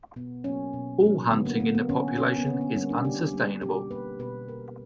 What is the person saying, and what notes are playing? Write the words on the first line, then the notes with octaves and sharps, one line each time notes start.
All hunting in the population is unsustainable.
B2 B3
F#3 A#3 C#4
B2
F#3 A#3
D3 B3
A#3
A#3
B3
D3 C#4
A#3 C#4
B3
D3 C#4
B3
G3 A#3 C#4
D4
D3 G4
G3 A#3
B2 G4
A#3 B4
B2 B4
A#3 A#4